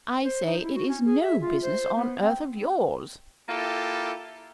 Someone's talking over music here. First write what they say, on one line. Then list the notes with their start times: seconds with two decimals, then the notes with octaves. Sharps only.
I say it is no business on earth of yours.'
0.24 C5
0.45 D#4
0.62 E4
0.75 F#4
0.88 C#4
1.05 G#4
1.21 E5
1.41 F4
1.62 C5
1.96 B3
2.22 C4
3.48 A#3 E4 F4 G4 A4